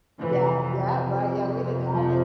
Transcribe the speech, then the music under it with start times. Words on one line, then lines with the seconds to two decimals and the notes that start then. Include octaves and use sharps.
yeah yeah, right, yeah, we didn't have it.
0.20 F2 E3
0.25 C3
1.93 F3